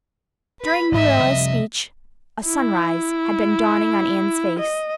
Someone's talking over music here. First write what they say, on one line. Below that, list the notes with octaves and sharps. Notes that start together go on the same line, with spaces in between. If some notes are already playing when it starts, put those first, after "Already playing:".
During Marilla's speech a sunrise had been dawning on Anne's face.
B4 B5
A1 G#2 D#5 E5
C3 F3 G3
E4
D#5